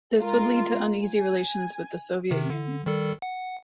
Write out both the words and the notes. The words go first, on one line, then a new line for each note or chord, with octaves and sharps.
This would lead to uneasy relations with the Soviet Union.
G#3 F4 A#4
G#5
C3 D#3
D3
D#3 G3 A4
F#5